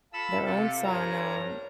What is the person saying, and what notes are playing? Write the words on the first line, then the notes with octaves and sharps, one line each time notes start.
Their own sauna.
F4 A4 F5 B5 E6
C3 A4
C2 G2 A#4 C#5 A#5